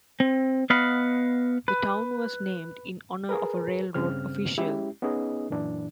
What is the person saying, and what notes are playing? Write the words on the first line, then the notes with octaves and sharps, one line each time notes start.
The town was named in honor of a railroad official.
C4
B3 D#5 F5 F#5 B5
B4
G#4 A#4 B4
G2 C#3 C4 F6
G#3 C#4 E4 G4
B3 C#4 D#4 G#4 D#5
F#2 A#2 E3 D4